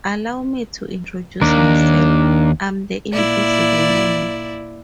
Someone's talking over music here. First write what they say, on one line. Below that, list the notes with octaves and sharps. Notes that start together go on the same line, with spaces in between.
Allow me to introduce myself--I'm the Invisible Man!
D#2 D4 A#4
A#2 E4 D5